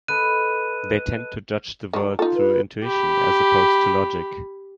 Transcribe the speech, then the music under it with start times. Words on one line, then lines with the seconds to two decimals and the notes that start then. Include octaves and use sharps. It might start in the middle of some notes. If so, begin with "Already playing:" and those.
They tend to judge the world through intuition as opposed to logic.
0.08 A4 B4 D#5 F#6 D#7
1.93 D#3 F#3 D4
2.19 D#4 F4 A4
2.36 B4
2.84 G4 B5